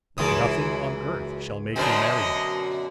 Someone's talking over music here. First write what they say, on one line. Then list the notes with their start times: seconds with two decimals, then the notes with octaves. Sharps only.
But nothing on earth shall make me marry him.
0.18 C#2 F#2 E3 D#6
1.76 F#2 B2 D3 C5 D#5 G#5